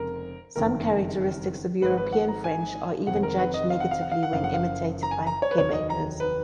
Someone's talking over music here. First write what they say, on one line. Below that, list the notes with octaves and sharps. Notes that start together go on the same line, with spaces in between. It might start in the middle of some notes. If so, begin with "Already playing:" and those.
Some characteristics of European French are even judged negatively when imitated by Quebecers.
Already playing: F1 F2 C#3 G#3 A#4
F#1 F2 D#3 A#4
G#1 G#2 F3 B4
B4
F#5
A#5
G#5
F1 F2 D#3 F#5
A#4
B4
D#5
F5
F#5
F5
F#5
F5
F#5
F#1 F#2 F3 F5
F#5
F5
A#5
G#5
A#5
C#5
B4
F1 D#2 D#3 F#3 C#5
D#5
A#5
B4